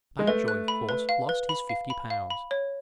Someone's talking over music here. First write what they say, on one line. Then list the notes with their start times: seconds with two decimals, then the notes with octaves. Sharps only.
Mountjoy of course lost his fifty pounds.
0.19 G#3
0.27 A3 B4
0.48 F#6
0.68 B5
0.89 B4
1.09 F5
1.29 B4
1.49 B5
1.69 F5
1.90 B5
2.10 F5
2.30 B5
2.51 C#5